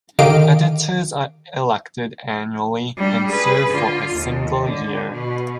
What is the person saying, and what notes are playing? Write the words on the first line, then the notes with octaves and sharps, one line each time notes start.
Editors are elected annually and serve for a single year.
D3 D#3 G4 D#5 F5 D7
G3 D4
G#4 B4
D3 F4
D#2
D3
B2